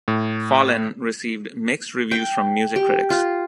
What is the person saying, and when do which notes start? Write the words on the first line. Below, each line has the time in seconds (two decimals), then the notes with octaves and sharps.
"Fallen" received mixed reviews from music critics.
0.08 A2
2.11 G5
2.76 G4
3.10 F4